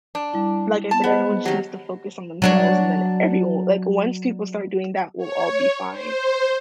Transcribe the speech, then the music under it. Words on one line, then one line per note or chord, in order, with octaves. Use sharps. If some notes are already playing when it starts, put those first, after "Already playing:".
like I said, everyone seems to focus on themselves and then everyo like, once people start doing that, we'll all be fine
D4
G3 E4
B3 A5 A6
B3 G#4 C5 D#5
D#3 F#3 G4
F#3 D4 C#5
C#5
C5